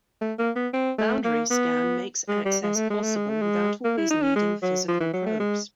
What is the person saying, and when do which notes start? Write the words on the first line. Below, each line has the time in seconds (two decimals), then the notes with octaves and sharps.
Boundary scan makes access possible without always needing physical probes.
0.21 A3
0.39 A#3
0.56 B3
0.73 C4
0.99 A3
1.25 A#3
1.51 B3
2.28 G#3
2.45 G3
2.63 G#3
2.76 A3
2.90 G#3
3.03 A3
3.16 G#3
3.30 A3
3.42 G#3
3.85 A#3
3.98 E4
4.11 D#4
4.22 C#4
4.36 G#3
4.63 F#3
4.88 F3
5.00 E3
5.13 F#3
5.26 A3
5.40 G#3